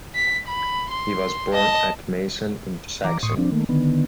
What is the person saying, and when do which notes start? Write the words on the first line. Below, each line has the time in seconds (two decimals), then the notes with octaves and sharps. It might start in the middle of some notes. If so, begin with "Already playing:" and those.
He was born at Meissen in Saxony.
0.15 B6
0.48 B5
0.91 C6
1.53 D#5 A5
3.04 E3 A#5 D6
3.23 A2 C6 C#6 D#6
3.38 F3 C4 D4
3.52 D#3 A3 A#3
3.69 D3 D#3 B3